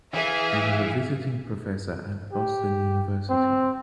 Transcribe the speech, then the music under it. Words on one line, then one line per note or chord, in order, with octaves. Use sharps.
He was a visiting professor at Boston University.
E3 G#4 E5 F5
G4
C4